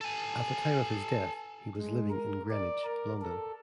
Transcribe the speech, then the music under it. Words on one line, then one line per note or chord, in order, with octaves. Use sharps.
At the time of his death, he was living in Greenwich, London.
A4 G#5
G#3
A#4
D5
A#4
A4